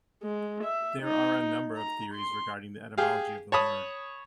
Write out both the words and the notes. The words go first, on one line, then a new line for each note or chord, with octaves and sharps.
There are a number of theories regarding the etymology of the word.
G#3
E5
D#4
A#5
C6
G4 G#4 F5
C#5 A5 B5 D#6